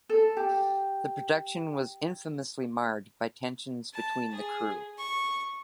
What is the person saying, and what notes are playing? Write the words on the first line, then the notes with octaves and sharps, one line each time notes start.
The production was infamously marred by tensions between the crew.
A4
G4
A5
G#4
C#6